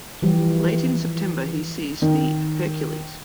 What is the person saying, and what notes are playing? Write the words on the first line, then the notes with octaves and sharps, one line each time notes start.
Late in September he seized the "Hercules".
E3 F3 G3 G4
D#3